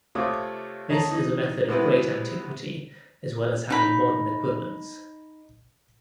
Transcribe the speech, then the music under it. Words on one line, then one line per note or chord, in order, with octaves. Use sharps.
This is a method of great antiquity, as well as having modern equivalents.
C3 A3 F4 C#5 D6 D#6
C#5 D#5 A5 A#5
E3 D#4
C3 G#3 B3 C4 E4 B4
D#4 B5